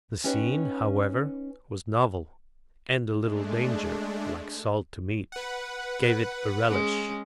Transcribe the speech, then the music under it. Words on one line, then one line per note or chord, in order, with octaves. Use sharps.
The scene, however, was novel, and a little danger, like salt to meat, gave it a relish.
C#4 D#4 G4 B4 C#5
G#3 A3 D4
B4 F#5
G#3 C#4 G#4